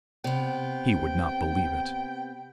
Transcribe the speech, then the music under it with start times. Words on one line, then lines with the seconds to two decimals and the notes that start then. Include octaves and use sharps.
He would not believe it.
0.24 C3 B3 G5